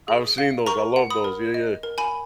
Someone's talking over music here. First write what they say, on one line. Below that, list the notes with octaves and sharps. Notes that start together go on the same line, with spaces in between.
I've seen those, I love those yeah, yeah.
G#4
F5
A#4 A#5 C#6
F#5
B5 D#6
A#4
D#5
A#4
G#5 B5